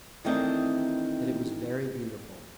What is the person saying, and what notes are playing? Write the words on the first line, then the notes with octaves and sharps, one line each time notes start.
"That it was very--beautiful!"
D#3 E3 A3 C4 D4 D#4